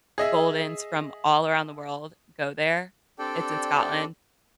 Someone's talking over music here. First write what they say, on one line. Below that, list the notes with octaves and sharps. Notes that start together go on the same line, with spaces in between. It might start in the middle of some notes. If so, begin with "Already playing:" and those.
goldens from all around the world go there, it's in Scotland.
G#4 D#5 E5
C4 D4 G4 A4 D5 G5